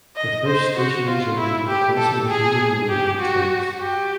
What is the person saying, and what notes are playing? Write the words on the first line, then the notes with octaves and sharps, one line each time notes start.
The first station was opened at the crossing of Union Road and the tracks.
D#5
C5
F#4
F4
E4
G4
A4
G#4
G4
F#4
G4